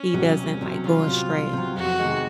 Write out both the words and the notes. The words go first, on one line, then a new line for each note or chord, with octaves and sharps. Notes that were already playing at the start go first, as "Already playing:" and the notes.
he doesn't, like, go astray.
Already playing: C#4
C3 F#3
C2
C3 F#3
C2 F4
C3 F#3
C2
C3 F#3
F2 F#4
C3 D#3 G#3